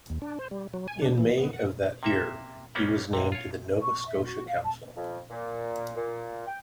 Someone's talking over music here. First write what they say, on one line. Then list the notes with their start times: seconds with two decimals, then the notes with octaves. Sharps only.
In May of that year, he was named to the Nova Scotia Council.
0.10 D#2
0.22 D4
0.39 C5
0.51 G3
0.74 F#3
0.88 G#5
1.02 D4
1.18 E3
1.38 B3
1.53 F#5
2.03 C3 A#3 E5
2.75 G3 A#3 B3 C#4
3.13 B1 C3
3.32 F4 C#5
3.81 C#6
4.07 E5
4.24 F#4
4.47 F5
4.63 A5
4.96 F2
5.30 A#2
5.96 A#2
6.46 G5